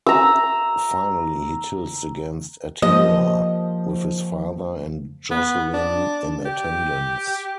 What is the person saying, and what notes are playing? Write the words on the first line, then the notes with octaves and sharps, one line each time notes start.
Finally he tilts against Adhemar, with his father and Jocelyn in attendance.
A#5 E6
F3 A#3 G4 D#5
B3
D4
G4